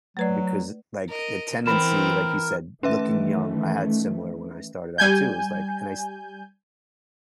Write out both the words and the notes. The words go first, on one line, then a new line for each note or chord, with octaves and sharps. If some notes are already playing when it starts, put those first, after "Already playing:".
Because like the tendency, like you said, looking young, I had similar when I started out too is like, and I s
F#3 A3 B4 D5
A#4 D#5
E3 B3 C4 A#4 B5 E7
D#3 E3 A3 C#4 B4 E5
G3 G#5 G6